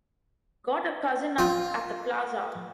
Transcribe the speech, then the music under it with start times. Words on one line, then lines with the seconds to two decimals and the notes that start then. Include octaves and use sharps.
Got a cousin up at the Plaza.
1.38 F4